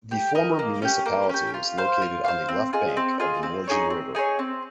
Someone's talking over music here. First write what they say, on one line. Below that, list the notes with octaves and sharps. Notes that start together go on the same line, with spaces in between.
The former municipality is located on the left bank of the Morges river.
G4
A#4 D#5
A#3
C#4 G4
A#3
C#4 G4
F4
C5 F5
F4
C5 F5
C4
F4 G#4 D#5
C4
F4 G#4 D#5
C4
D#4 G#4 C#5
C4
D#4 G#4 C#5
C4